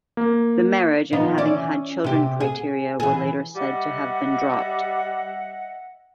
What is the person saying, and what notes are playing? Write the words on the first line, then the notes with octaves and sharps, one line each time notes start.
The marriage and having had children criteria were later said to have been dropped.
A#3
F3 B3 D#4
E3 C#4 D5
C3 G4
G#4
E3 G#4
G3 D#5 E5 F#5